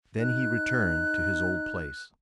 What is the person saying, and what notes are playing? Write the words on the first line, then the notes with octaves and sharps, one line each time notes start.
Then he returned to his old place.
D#4 F#6